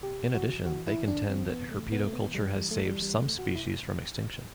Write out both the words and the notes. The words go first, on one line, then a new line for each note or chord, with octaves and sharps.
In addition, they contend that herpetoculture has saved some species from extinction.
C3 G4
E3 F#4
E3 F#4
E4
E3
D4
E3 C4
B3
C3
A3
C3 B3
A3
B3
E3
G3
E3 G3
A3
E3 G3
G3
C3 A3
F#4
C3
E4